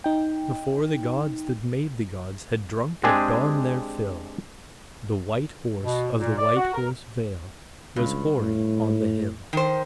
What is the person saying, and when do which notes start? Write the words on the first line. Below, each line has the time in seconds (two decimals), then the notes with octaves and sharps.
Before the gods that made the gods Had drunk at dawn their fill, The White Horse of the White Horse Vale Was hoary on the hill.
0.04 D#4 G5
3.04 G#3 C4 D4 G4 G#4 G#5
5.82 B2
6.17 A#2
6.38 D5
6.56 F#4
6.74 A#4
7.96 C#2 G2
8.39 A2
9.53 D#3 C5